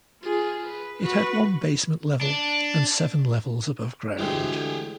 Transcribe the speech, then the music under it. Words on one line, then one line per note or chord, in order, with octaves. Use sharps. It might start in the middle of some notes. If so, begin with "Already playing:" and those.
It had one basement level and seven levels above ground.
F4 G#4
B4
F#4 B4
D4
D2 E3 G#3 G4 G#4 G5